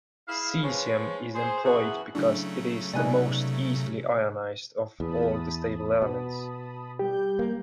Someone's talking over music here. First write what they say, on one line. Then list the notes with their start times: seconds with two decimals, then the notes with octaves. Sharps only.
Caesium is employed because it is the most easily ionized of all stable elements.
0.28 E4 G#4 F5
0.63 F3 G#3 B4 C#5
1.34 G#4 C5
1.64 F#2 B2 E3 F#4 G#4 E5
2.15 C#3 F#3 A3 D4 E4
2.94 C3 G#3 B3 D#4 D5 G#5 F#6
5.00 E2 A5 B5 D#6
6.02 B2
6.99 G3 G4 G6
7.39 A#3